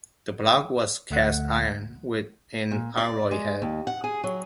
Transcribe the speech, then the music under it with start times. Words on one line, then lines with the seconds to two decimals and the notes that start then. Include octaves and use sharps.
The block was cast iron, with an alloy head.
1.11 D2 A3 F#5
2.71 A#2
2.97 D5
3.31 G#3
3.62 D#2
3.87 F#5
4.04 G#4
4.24 F#3